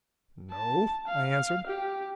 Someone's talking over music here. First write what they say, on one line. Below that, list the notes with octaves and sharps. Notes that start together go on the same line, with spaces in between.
"No," I answered.
A5
F5
G4